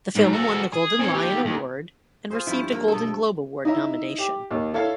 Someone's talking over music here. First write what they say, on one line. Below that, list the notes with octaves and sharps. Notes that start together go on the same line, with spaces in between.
The film won the Golden Lion award and received a Golden Globe Award nomination.
G#2
F#4 A4
G#4
C4 G#5
D#2 G4
D#2
F4 G#4 C5
G2 F3 E4
A#3
B2 A4
D#4 E4 D#5 E5
G4
D#2
E4 A4 C#5 E5 F5